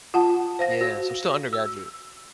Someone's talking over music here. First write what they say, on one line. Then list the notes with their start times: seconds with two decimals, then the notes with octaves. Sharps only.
Yeah, so I'm still undergraduate.
0.14 F4 F#5 A5
0.59 C5 F5 A#6
0.81 F#4
1.53 E6